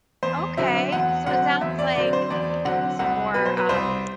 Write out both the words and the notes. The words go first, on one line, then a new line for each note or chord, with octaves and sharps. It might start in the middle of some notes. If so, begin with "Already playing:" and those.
Okay, so it sounds like the, uh that was some more, um
E2 C5
D3 F#3 C4 E5
E2 F#5
D3 F#3 C4 F#5
E2 E5
D5
D3 F#3 C4 D5
C5
E2 D5
D3 F#3 C4 F#5
C2 F#5
B2 F#3 B4
C5
B4
C2 C5